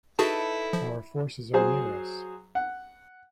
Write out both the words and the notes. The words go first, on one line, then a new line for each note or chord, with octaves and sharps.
Our forces are near us.
D#4 E4 F#4 G#4 A4 B4 A5
F3
F#3 G#4 C5
F#5